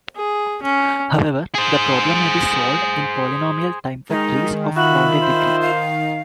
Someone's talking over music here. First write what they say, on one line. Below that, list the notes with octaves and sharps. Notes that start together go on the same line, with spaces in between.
However, the problem may be solved in polynomial time for trees of bounded degree.
G#4
C#4
G#4 C5
D#3 G#3 D#4
F4 F#4 E5 B5
C5
F5